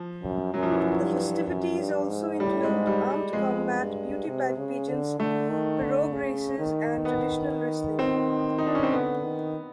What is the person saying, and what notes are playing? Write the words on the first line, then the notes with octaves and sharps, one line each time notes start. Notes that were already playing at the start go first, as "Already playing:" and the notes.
The festivities also include armed combat, beauty pageants, pirogue races, and traditional wrestling.
Already playing: F3
F#2
F#2 F#3
F3
E3
F3
G2
F#2
G2
G#2
A2 G3
G#3
G#2
G3
G3
F2 G#3
G2
C3
C#3
D3
D3 A3
D#3
D3
C#3
D#3
B3
C4
D#4
D4
C#4
C4
D3 B3
D#3